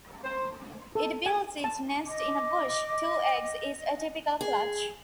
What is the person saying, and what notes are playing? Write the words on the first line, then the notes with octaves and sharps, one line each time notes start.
It builds its nest in a bush; two eggs is a typical clutch.
C5
A4
G#5
A5
D#5 D6
G#4